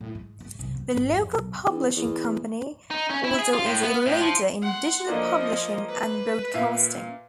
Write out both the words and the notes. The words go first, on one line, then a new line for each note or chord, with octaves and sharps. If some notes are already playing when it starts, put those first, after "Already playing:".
The local publishing company also is a leader in digital publishing and broadcasting.
A2
G#2
G#2
C2
E2
G#1
F2
B1
E2
E2
D#4
C#4
E4
G#4
F4
A2
B3
A2
F3
F#5 C6
F3 A#3 D4 D#5
B4
A#2 E5 F5